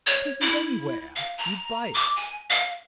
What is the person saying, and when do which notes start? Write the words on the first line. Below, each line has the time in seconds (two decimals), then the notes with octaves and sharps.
"It isn't anywhere; you buy it."
0.07 C#5
0.41 E4
1.16 F5
1.38 A#5
1.94 D6
2.16 G#5
2.50 F5